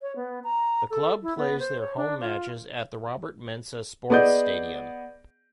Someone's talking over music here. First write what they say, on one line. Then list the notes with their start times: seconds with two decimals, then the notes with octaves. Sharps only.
The club plays their home matches at the Robert Mensah Sports Stadium.
0.02 C#5
0.16 B3
0.44 A#5
0.90 A4
1.22 E4
1.37 B3
1.59 C5
1.80 C#5
1.96 D4
2.21 F4
4.10 B3 G#4 D5 D#5 G6